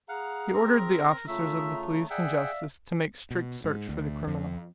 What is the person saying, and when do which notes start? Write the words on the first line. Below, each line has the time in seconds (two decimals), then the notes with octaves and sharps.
He ordered the officers of the police and justice to make strict search for the criminal.
0.09 G#4 F5 F#5 A#5
0.54 C4 A#4
1.28 C#3 A3 F4 E5 A#5
2.10 G#4 D5 E5 F#5 G5
2.42 F5
3.31 B2
3.64 G#2
3.89 D2
4.27 F2